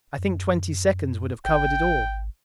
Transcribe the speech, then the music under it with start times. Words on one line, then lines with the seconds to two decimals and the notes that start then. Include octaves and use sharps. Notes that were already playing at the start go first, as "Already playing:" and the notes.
I think twenty seconds would have covered it all.
0.18 F#2
1.45 G#1 G5